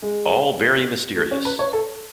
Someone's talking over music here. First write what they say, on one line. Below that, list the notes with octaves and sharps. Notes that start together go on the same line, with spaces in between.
All very mysterious!
G#3
A3
C#4
B4
C#5
A4